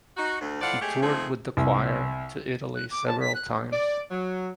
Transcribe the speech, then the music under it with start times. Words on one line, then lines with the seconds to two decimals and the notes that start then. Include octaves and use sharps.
He toured with the choir to Italy several times.
0.17 D#4 F#4
0.41 D2
0.61 A2 F3 D5 F5 F#5
0.81 G#3 A3 G4 G#4 C#5
1.01 D#3 F3 A3 C4 G#4
1.57 C2
2.75 F#6
2.91 D6
3.07 A5
3.20 B6
3.35 F#6
3.73 D5
4.11 F#3